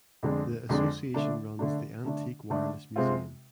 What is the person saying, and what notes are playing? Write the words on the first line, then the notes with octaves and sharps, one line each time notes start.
The association runs the Antique Wireless Museum.
F2 D3 G#3 D4
F2 D3 G#3 D4
D3 A3 D4
D3 A3 D4
D3 A3 D4
D3 A3 D4
C3 G#3 C4 F4